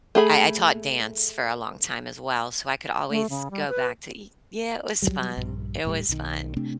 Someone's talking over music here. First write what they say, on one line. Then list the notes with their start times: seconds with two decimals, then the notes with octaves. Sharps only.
I I taught dance for a long time as well, so I could always go back to e yeah, it was fun. It was fun.
0.15 A3 G#4 B5
3.10 A3
3.30 C#3
3.51 G3
3.68 B4
5.02 F#3 G3
5.37 A#1 G2
5.85 D#1 A2 G3
6.09 B1 D#3
6.57 C3 A3 C4 D4